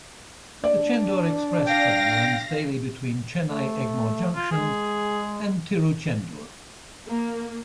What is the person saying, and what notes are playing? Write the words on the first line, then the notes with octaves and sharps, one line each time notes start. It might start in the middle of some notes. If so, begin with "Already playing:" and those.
The Chendur Express train runs daily between Chennai Egmore Junction and Tiruchendur.
D4 D5
F5 G5 A#6
A3
F4
G#3 G#4
A#3